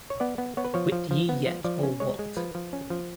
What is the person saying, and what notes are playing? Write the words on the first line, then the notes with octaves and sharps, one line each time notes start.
Wit ye yet, or what?
C#5
B3 D5
B3
B3 C#5
B4
F3 C#5
F3
F3
B3
F3
F3 D5
C#4
G#3 C#5
G#3
F3 B4
F3
C#4
F3